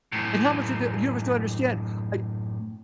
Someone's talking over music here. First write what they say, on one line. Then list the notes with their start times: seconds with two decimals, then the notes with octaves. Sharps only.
and how much of the universe do you understand, like
0.12 F#2 A2